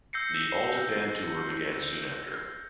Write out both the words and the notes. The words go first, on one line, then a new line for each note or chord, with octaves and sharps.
The all-Japan tour began soon after.
E6 G6 A#6 C7 C#7